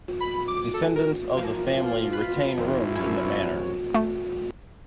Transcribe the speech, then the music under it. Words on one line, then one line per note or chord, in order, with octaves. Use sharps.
Descendants of the family retain rooms in the manor.
B5
D6
A4
A#4
E3 F3 A#3
F4
B4 B5
A#1 F2 D#3 F3 E4
F#2 C3 C#5
A3